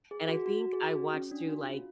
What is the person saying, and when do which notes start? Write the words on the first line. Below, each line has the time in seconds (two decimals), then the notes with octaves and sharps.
and I think I watched through, like,
0.11 G#4
0.28 F#4
0.46 F#4
0.73 G#4
0.80 F#4
1.14 C#4
1.31 D4
1.48 F#4
1.65 F4